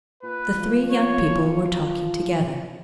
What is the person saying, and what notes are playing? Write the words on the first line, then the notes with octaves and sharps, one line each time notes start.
The three young people were talking together.
A#2 B4
F3
C#5
F3